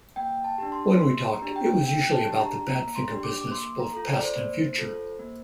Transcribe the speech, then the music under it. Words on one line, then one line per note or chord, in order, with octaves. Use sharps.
When we talked it was usually about the Badfinger business both past and future.
A#3 G5
A5
D4 G4
C6
A#3 C6
A#5
D4 G4
G5
A#3 G5
A5
D4 G4
A#5
A#3 A#5
C6
D4 G4
D6
D6
A#3 C6
A#5
F4 A4
C5
D5
C5
A#3 C5
F4 A4
A#3